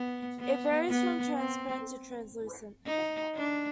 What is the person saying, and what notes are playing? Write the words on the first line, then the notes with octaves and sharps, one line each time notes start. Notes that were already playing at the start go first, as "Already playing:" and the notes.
It varies from transparent to translucent.
Already playing: B3
B3
B3
C4
D#4
D4